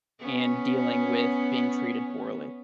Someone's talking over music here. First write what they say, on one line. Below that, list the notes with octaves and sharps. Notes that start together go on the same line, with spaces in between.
in dealing with being treated poorly?
B3 C#4